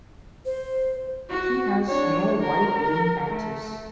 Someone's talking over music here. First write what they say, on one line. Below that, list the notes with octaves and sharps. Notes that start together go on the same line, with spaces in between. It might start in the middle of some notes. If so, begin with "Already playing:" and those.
She has no white wing patches.
C5
F#4
D4 C#5
A#4
A3